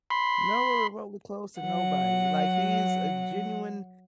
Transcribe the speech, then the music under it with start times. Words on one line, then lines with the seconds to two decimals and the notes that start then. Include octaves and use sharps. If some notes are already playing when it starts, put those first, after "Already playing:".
Now we're remotely close to nobody, like he's a genuine
0.11 B5 C6
1.60 F#3 F#5